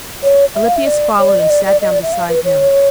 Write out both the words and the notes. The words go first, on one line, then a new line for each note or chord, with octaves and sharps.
Alypius followed and sat down beside him.
C#5
E5
F5
E5
D5
C#5
D5
D#5
D5
D5
D#5
D5
E5
F5
B4
C#5